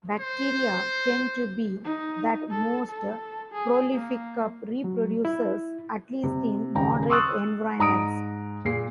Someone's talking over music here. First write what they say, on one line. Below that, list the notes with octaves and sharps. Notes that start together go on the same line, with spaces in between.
Bacteria tend to be the most prolific reproducers, at least in moderate environments.
C5
D#4
A4
A4
G#4
A#3
F#3
E4
C3
D#1 C#3 G5 A#5
C6 C#6 D#6 E6 F#6 A6
G#2 A#5 D#6 D7
A#2 G#4 C7